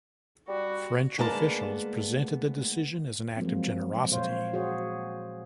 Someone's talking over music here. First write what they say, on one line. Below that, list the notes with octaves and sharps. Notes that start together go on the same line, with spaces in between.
French officials presented the decision as an act of generosity.
G3 F#4
D2 G#3 A#3 B3 E5 A5
F3 F#3 G#3 A#3 C4
A#2 C5 C#5 F5
F#4 G#4 C5 C#5